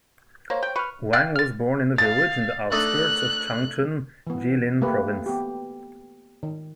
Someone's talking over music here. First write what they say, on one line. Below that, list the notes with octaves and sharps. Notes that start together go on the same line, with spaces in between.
Wang was born in a village in the outskirts of Changchun, Jilin Province.
A#3 C5 C#5
G5
B4 C#6 F6
F5 G5 F6 F#6 A6
F6 A6
F5 A6
A3 D4 D#4 F#6
E3 B3
A3 A#3 G4 B4
B3 G4
D#3